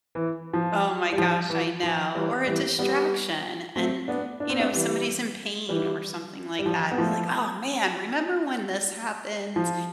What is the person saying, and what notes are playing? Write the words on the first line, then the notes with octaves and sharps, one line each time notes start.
Oh my gosh, I know. Or a distraction. And, you know, somebody's in pain or something like that, be like, "Oh, man. Remember when this happens?"
E3
F3
G3
F3
E3
F3
E3 G3
E3 G3
G3 B3
A3 C4
B3 D4
D4
C4
B3 D4
E3 G3
E3 G3
G3
F3
B3
F3 A3
F3